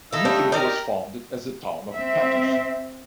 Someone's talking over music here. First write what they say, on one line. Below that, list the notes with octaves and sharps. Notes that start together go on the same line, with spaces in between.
Mifflin was founded as the town of Patterson.
D#4 E4 A4 F5 E6
G3 A3 D4
D#4 G4 A#4 D5
C4 E5